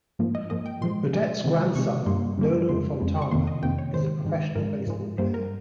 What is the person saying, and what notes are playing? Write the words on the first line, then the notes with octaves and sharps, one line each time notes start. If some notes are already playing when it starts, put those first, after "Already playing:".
Burdette's grandson, Nolan Fontana, is a professional baseball player.
G#2 F3 A#3
D#5
G#2 F3 A#3 D#5
G5
A#2 F3 G#3 C6
A#2 F3 G#3
C3 D#3 G#3
C3 D#3 G#3 C#6
G2 G3 A#3 C6
G2 G3 A#3
F2 C#3 F3 G#3 C6
F2 C#3 F3 G#3
C#6
F2 C3 D#3 A#3 C6
D#5
F2 C3 D#3 A#3 G5
C#5
G#2 D#3 G#3 C5
G#2 D#3 G#3
G#2 F3 G#3 A#4
G#2 F3 G#3
G2 G3 A#3 C5
A#4